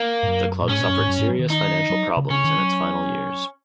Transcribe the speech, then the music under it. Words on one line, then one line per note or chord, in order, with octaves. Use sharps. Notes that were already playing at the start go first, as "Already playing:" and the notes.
The club suffered serious financial problems in its final years.
Already playing: A#3
G#2
F#2
A#2
G#2 C#4
A#2
F#2
G#2
F#2
G#2
F#3
D#3
D#4
F#3
C#3
C#3 C#4
D#3
F#3